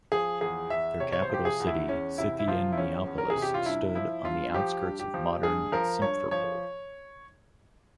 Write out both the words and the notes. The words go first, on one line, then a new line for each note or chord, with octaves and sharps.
Their capital city, Scythian Neapolis, stood on the outskirts of modern Simferopol.
F3 G#4
E2 G#4
E2 E5
C3 C#5
C#5
C5
F3 G4
G#4
E2
E4
E2 C#4
C3 E4
E4
F3 F4
E4
E2 C#4
E2
A#4
G#4
C3
G4
F4
G2 E4
F3 E4
G2 F4
F3 G4
G2
G4
F3
G2 G#4
F3 A#4
G2 C#5
F3 C#5